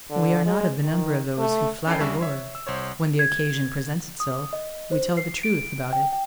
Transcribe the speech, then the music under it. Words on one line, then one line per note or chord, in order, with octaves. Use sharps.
We are not of the number of those who flatter war; when the occasion presents itself, we tell the truth about it.
D3
G#3
D#3
A3
C#4 D#4 A4 B4 G5 C7
D#2 G3 C#4 D4 E5 C#6
C#5 E5
E6
C2 C5 C#5
G#6
D#6
D#5
C5
C7
D7
G5
G5